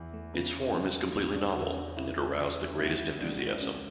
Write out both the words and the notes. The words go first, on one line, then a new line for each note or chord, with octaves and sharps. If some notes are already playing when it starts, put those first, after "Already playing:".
Its form is completely novel and it aroused the greatest enthusiasm.
Already playing: E2 E3
A3
C#3 B3
B3
C#3 C#4
A3
E2 B3
D4
E2 F#4
C#4
D4
C#3 E4
E3
C#2 E4
F#4
E4
C#2 D4
F#4
E4
D4
C#2 C#4